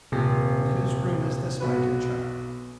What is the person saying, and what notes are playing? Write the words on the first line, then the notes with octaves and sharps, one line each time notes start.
"And whose room is this, my dear child?"
D#1 C3
B1 F#4 B4